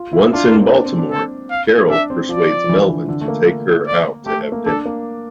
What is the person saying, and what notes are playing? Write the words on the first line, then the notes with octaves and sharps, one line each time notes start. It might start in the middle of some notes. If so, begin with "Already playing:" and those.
Once in Baltimore, Carol persuades Melvin to take her out to have dinner.
Already playing: F4
E4
D4 F4
A#3
C4
D4
C4
D4
A4
F5
D4 E5
C4
F3 D5
F3
E3
D3
D3
A3
A#3
D5
A3 G4
A#3
D4 A4
A#3